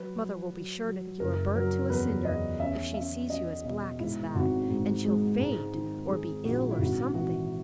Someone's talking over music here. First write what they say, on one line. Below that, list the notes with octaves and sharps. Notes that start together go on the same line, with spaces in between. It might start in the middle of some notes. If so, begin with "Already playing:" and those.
Mother will be sure to think you are burnt to a cinder if she sees you as black as that, and she'll faint or be ill or something.
Already playing: F#3 B4
F#3
F#3
F#3
F#1 A#4
F#3 A#4
E2 B4
E2 D#5
C#4 E5
C#4 E5
C#4 D#5
B2 D#5
G#2 E4
G#1 F#4
G#2
G#3
G#2
D#3
D#3 G#4
A#1 F#4
E4
G#1 F#4
E3 F#4